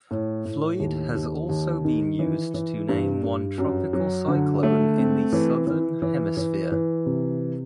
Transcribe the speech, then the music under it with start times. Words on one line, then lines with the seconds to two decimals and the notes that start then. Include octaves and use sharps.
Floyd has also been used to name one tropical cyclone in the Southern Hemisphere.
0.11 A2
0.45 A2
0.80 D#2
1.15 D#2
1.49 D#2
1.85 D#3
2.19 E3
2.54 E3
2.89 G2
3.23 G2
3.58 F#2
3.93 F#3
4.28 D3
4.63 A3
4.98 C4
5.32 E3
5.67 E3
6.02 E3
6.37 E3
6.72 E3
7.06 C3